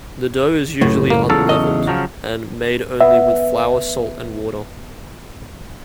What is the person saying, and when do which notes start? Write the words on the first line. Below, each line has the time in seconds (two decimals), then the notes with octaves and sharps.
The dough is usually unleavened, and made only with flour, salt and water.
0.81 C#2 F#2 A2
1.10 A#3
1.30 E2 C#3 F#3 A4
1.49 D#5
1.88 C#3 F3 F#3
3.00 B3 E5